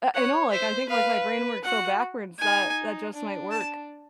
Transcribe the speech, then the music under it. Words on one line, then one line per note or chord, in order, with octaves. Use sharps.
Uh, I know, like, I think, like, my brain works so backwards, that that just might work.
C#5 F#5
C5 E5
B4 F5
F#4 F#5
D#4 G#5
D4
A5